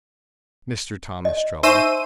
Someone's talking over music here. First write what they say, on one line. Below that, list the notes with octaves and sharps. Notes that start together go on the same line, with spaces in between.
"Mr. Tom Ostrello."
D#5
D#4 C5 E5 C#6 E6 D#7